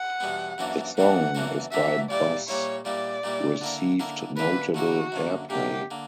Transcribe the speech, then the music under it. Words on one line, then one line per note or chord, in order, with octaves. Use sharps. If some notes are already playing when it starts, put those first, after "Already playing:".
The song, Is by Bus received notable airplay.
Already playing: F#5
E2 B2 G3 B3
F#2 E3 A#3 D4 F#4
F#2 E3 A#3 D4 F#4 F#5
F#2 E3 A#3 D4 F#4
F#2 E3 A#3 D4 F#4 E5
A#2 G3 A#3 E4 D5
A#2 G3 A#3 E4 C#5
A#2 G3 A#3 E4 D5
A#2 G3 A#3 E4
D3 A#3 E4 A#4
D3 A#3 E4 A#4
D3 A#3 E4 A#4 B4
D3 A#3 E4 F#4 A#4
F#2 D3 A#3
F#2 D3 A#3 G4
D3 A#3